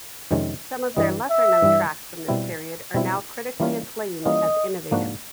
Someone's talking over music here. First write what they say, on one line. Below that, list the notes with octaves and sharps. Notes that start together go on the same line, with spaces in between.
Some of their lesser-known tracks from this period are now critically acclaimed as innovative.
F2 C3 D#3 G#3 C#4
G2 E3 G3 D#5
E5
G2 E3 G3
B2 G3 C4 E4
B2 G3 C4 E4
E3 G3 A#3 C#4 F4
E3 G3 A#3 C#4 F4 D#5
G#2 F3 A#3 D4 F#4